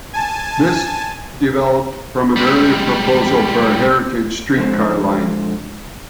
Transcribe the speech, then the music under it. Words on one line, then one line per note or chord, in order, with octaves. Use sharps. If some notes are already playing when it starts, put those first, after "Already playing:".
This developed from an earlier proposal for a heritage streetcar line.
G#5 A5
G3 G#3
D3 F3 G#3 C5